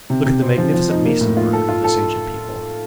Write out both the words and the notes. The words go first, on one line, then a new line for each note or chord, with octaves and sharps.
Look at the magnificent mason-work of this ancient people!
C3
C3
C4
F3
F3
D#4
A#3
A2
F4
A4
F4
A4